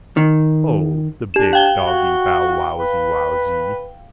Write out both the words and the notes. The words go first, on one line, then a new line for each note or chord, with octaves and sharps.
O, the big doggybowwowsywowsy!
D#3
D4 G4 E7
F5 G5 G7
F#4
B4